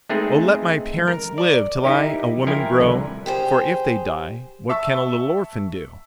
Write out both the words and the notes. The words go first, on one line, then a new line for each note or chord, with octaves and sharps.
"Oh, let my parents live Till I a woman grow; For if they die, what can A little orphan do?"
G#3 A3 C4 D#4 G#4 B4
A#4
D5
D#4 E4 G4 A#4
F3 E4 A#4 G5 G#5
C2 D3 B4
G4 G#4 C5
E5 A5 C#6 E6